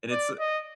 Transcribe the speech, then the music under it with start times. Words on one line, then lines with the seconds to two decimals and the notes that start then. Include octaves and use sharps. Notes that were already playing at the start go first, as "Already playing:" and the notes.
and it's uh,
0.11 D5
0.40 D#5